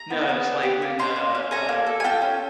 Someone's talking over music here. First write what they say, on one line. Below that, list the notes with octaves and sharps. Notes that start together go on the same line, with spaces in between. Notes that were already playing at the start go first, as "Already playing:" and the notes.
No, it's, like, when, uh, uh
Already playing: A#5
B3
B3
D4
G4
A#3
C#4 A#5 C6
A#3
C#4
A4 G#5 A#5
A#3
A4
G#5
F4 G5 A5
C#4